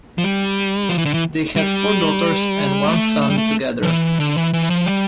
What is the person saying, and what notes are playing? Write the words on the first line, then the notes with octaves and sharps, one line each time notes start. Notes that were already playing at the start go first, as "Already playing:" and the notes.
They had four daughters and one son together.
F3
G3
F3
E3
D3
E3
G3
A3
A3
G3
A3
F3
E3
D3
E3
E3
F3
G3